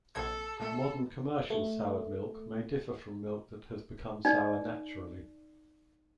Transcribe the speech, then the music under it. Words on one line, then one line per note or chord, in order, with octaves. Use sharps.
Modern commercial soured milk may differ from milk that has become sour naturally.
A#1 C3 A4 G#6
A#2 A3 A4
A3
D#4 D5